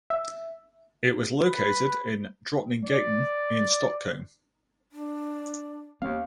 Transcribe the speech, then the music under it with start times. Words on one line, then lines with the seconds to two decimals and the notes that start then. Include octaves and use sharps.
It was located in Drottninggatan in Stockholm.
0.10 E5
1.43 B4
2.85 D5
4.92 D4
6.02 D#2 B3 C#4 F5